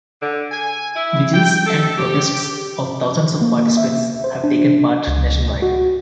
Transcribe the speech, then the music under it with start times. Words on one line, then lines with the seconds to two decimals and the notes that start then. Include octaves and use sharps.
Vigils and protests of thousands of participants have taken part nationwide.
0.22 D3
0.52 G#5
0.95 E4
1.34 G5
1.66 A4
1.98 G4
3.41 A#3
3.77 E5
4.24 C5
4.44 D4
5.07 C#2
5.62 F#4